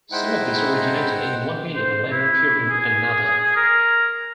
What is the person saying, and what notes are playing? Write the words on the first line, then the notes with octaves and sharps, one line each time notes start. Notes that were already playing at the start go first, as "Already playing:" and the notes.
Some of these originated in one medium and later appeared in another.
G#3 D#4 E4 C5 F#5 G5
C5
E4
G#4
A#4